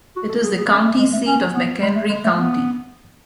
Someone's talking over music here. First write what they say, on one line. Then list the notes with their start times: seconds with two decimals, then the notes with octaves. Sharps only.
It is the county seat of McHenry County.
0.17 F#4
0.29 A4
0.44 G#4
0.58 G#4
0.72 C#4
0.86 A3
0.99 G#3
1.13 A3
1.27 C#4
1.54 B3
1.82 G#3
1.96 A3
2.09 G#3
2.24 A3
2.37 B3